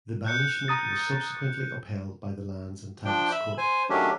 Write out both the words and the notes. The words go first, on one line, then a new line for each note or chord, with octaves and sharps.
The banishment was subsequently upheld by the lands and Titles Court.
F#6 G6 C#7
A#5 D#6 A6
F3 D4 G5
E5 B5
C5 G#5
D#3 F#3 A3 C#4 D4 G4